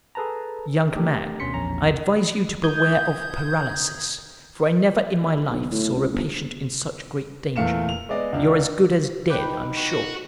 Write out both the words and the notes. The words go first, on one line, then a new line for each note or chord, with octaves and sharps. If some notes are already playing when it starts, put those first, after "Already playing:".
Young man, I advise you to beware of paralysis for I never in my life saw a patient in such great danger; you're as good as dead, I'm sure!
G#4 A4 B4 A5 A#5
A3 D4 G4 A#4
D2 B2 C#4 C6 B6 C#7
A#1 E2 C#4 A#5
D#6 G6 G#6
B1
A2
C#2
G1
E2 A#2 A3 F5 C#7 E7
F7
G#3 B3 D5 D#5
C#2 D4
D#4 G4 B4 G5
F#4